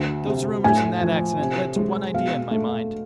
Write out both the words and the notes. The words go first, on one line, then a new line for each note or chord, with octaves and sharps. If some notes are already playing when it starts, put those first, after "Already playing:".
Those rumours and that accident led to one idea in my mind.
Already playing: D2
C3
A2 G#5
F3
C3
G#3
B2 F5
A3